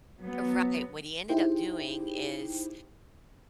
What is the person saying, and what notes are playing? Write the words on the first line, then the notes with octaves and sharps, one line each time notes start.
Right. What he ended up doing is,
F#3 B3
D#4 E4 G4 G#4 C5 G5